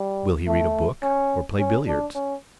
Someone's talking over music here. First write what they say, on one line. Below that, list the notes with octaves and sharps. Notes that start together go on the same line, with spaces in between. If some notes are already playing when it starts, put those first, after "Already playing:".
Will he read a book or play billiards?
Already playing: G3
A3
C#4
C#4
D4
C#4